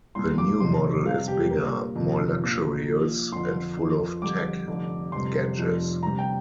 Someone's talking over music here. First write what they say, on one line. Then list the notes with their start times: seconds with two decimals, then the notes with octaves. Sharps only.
The new model is bigger, more luxurious and full of tech gadgets.
0.15 C2 A#2 G3 C6
0.38 D6
0.60 F1 F2 C3 C6
1.06 F2 C3 G3 F5
1.28 G4
1.50 A#1 A#2 G3 A#4
1.96 F2 C3 F3
2.42 A#1 A#2 F3
2.87 A#1 A#2 F3
3.32 F2 D3 F3 C6
3.77 F2 F3
4.22 F2 D3 G3 D6
4.67 F1 F2 D3
5.12 G1 F2 C3 G3 C6
5.58 F1 F2 F3
6.03 D2 C3 G3 A#5
6.19 G5